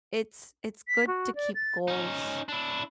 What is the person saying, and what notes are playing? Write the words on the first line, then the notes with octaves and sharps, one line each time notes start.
It's it's good to keep goals
B6
F#4
D5
A6
C#4 D#4
D4 E4